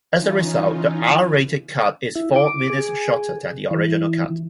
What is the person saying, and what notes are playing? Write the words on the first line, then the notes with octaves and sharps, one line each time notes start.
As a result, the R-rated cut is four minutes shorter than the original cut.
E3 C#4 D#4 F4
E4
D6
G#4
E3